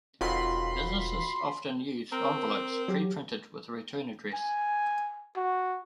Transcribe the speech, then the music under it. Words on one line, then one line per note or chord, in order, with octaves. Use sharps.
Businesses often use envelopes preprinted with a return address.
E1 F2 D#3 F#3 F4 F#4 B5 C6
C4 A#4
F#3 G4
G#5
F#4